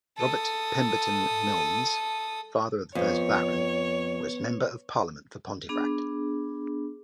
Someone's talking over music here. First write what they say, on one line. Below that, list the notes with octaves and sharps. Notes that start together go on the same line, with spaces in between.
Robert Pemberton Milnes, father of the first Baron, was Member of Parliament for Pontefract.
A4 D#6
F2 B3 B4 C#5
B3 D4 G#4